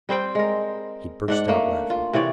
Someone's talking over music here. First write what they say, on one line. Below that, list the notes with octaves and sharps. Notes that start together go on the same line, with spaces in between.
He burst out laughing.
G3 C4 C5 G5
G#3 A#4
G#2 D4 F#5
A3 A#3
F4
C3 E3 C#5 D5